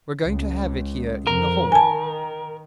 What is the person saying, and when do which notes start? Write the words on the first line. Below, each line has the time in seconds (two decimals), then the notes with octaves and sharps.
We're going to have it here in the hall.
0.23 C#2
1.27 F2 A#4
1.72 D#3 G#5 A5